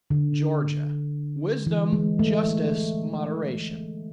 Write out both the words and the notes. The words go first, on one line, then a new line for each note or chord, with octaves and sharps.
Georgia--Wisdom, Justice, Moderation.
D3
E3
G#3
A3